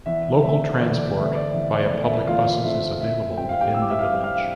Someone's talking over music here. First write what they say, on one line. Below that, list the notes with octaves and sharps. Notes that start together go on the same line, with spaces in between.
Local transport via public buses is available within the village.
E2 E5
D3 A3 C4 E5
E2 D5
D5
D3 A3 C4 E5
D5
E2 E5
D5
D3 A3 C4
E5
E2 F4 F5
D3 A3 C4 E5
A2 E5
G3 C4 G5
F5
G4 G5
A2 E6
D6
E5 E6
F5 F6
G3 C4
F5 F6